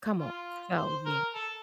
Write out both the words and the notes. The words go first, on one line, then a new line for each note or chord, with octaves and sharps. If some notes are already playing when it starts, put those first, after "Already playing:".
come on, so, yeah.
F4
C5
A#4
A4